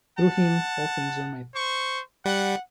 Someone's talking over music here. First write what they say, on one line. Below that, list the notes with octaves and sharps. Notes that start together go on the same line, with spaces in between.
Through him all things were made.
F#5 A5
C5 C#6
G3 F#5